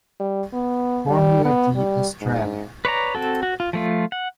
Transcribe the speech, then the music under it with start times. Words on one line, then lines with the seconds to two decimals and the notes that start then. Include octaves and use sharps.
Formula D Australia.
0.20 G3
0.54 B3
1.09 G3
1.45 B3
1.76 G3
2.21 G#2
2.85 B4 C#5 D5 A#5
3.15 C4 F#4 A4
3.43 F#4
3.60 F4
3.73 F3 A3 F4
4.12 F#5